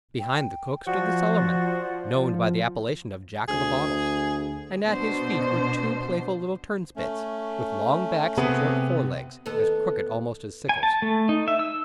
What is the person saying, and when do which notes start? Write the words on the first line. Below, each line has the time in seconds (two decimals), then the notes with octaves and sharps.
Behind the cook stood the cellarman, known by the appellation of Jack of the Bottles, and at his feet were two playful little turnspits, with long backs, and short forelegs, as crooked almost as sickles.
0.19 G5
0.87 F3 F#4 C5 D5 F#5
3.49 D2 G#4
4.85 B2 D4 C5
6.96 A3 C#4
8.38 C3 B3 G#4 B4
9.46 D#2 B3 A4
10.69 G#5
10.83 A5
11.02 A3
11.29 D#4
11.48 E5
11.59 E6